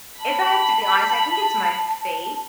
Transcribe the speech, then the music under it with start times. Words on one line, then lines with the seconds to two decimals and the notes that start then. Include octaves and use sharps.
if I have to be honest, I think it's my faith.
0.20 A5 B5